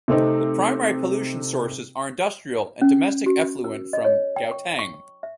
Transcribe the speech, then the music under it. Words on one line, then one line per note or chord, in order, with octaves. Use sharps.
The primary pollution sources are industrial and domestic effluent from Gauteng.
C3 A3 C4 D#4
C#4
F#4
A#4
D#5
C#5
G5
C#6
C#6
E5